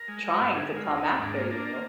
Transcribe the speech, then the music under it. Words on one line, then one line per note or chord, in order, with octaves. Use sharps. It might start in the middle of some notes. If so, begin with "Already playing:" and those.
trying to come after you.
Already playing: A#4
G#3
G#3
G2
D3 G#4
G#3
F4
D#2
D#2 D#4
G#2 D4
A#3
A#3 D4